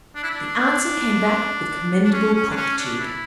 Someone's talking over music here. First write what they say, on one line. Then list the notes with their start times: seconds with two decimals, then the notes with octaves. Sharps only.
The answer came back with commendable promptitude.
0.15 D4
0.23 E4
0.31 D4
2.03 D4
2.12 C#4
2.34 C#4
2.51 D4
2.56 C#4
2.78 D4
3.00 E4